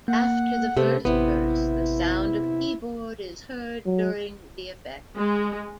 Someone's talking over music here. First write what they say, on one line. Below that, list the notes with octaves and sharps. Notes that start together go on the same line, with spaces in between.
After the first verse, the sound of keyboard is heard during the effect.
A#3 F#5
C3 A3 B3 G4
A1 C3 B3 E4
F#3
G#3